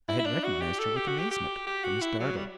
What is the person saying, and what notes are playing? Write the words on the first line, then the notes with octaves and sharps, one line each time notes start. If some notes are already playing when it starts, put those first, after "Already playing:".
I had recognized her with amazement, for Miss Dartle.
E4
E4
D4
F#4
G4
A4
G4
F#4
G4
G4
G4
F#4
E4
F#3
G3